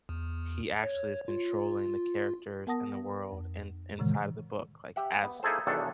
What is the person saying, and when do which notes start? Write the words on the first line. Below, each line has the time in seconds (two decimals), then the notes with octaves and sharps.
he actually is controlling the characters and the world in inside of the book, like, as
0.09 E2
0.84 C#5
1.28 F4
2.67 B3 A#4 F#5 A5 D#6 A#6
3.32 F2
3.99 A2 C3 D#3 E3 G#3
4.96 G4 E5 F#5
5.23 B3
5.43 A#3 D#4 E4 G#4 A4 C5
5.67 B1 E2 D#3 D4 A4 F#5